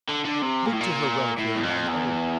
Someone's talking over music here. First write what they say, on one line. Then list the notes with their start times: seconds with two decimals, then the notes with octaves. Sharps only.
Look to her welfare and thine own.
0.09 D3
0.25 D3
0.42 C3
0.66 A#2
0.73 A2
0.80 A#2
1.38 A2
1.55 E2
1.63 F2
1.88 E2